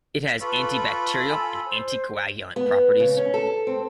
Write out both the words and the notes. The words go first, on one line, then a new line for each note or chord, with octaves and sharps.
It has antibacterial and anticoagulant properties.
F4 A4 B4 B5 C#6
G#5 E6
C5
B3
C#3
C#4
A4
C4